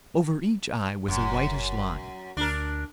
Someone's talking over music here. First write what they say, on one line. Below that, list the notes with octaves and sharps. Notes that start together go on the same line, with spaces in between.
Over each eye was a whitish line.
F#1 F#2
D2 D4 A#4